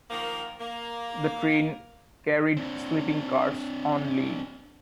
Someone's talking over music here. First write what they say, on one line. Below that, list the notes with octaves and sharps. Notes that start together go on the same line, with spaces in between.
The train carried sleeping cars only.
D#3 F3 A#3
A#3
C4 D4